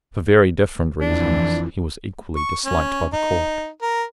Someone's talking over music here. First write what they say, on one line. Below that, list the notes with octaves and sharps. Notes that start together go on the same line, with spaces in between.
For very different reasons he was equally disliked by the Court.
F2 E3 D4
C#6
C#4
D#4
A#4